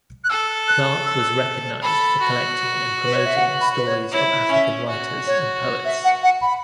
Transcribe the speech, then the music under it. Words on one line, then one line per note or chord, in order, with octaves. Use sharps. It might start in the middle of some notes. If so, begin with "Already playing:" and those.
Clarke was recognized for collecting and promoting stories of African writers and poets.
F#6
A4 E6
F#6
E6
A4 B5
F#4
B4
C#5
E5
F#5
B5
B4
C#5
E4 C#5
C#4 E5
F#4
C#5
E5
F#5
F#5
B5